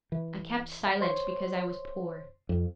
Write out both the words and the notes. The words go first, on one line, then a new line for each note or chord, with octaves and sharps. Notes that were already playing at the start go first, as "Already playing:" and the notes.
I kept silent because I was poor.
E3
C5 C#5 C6
F2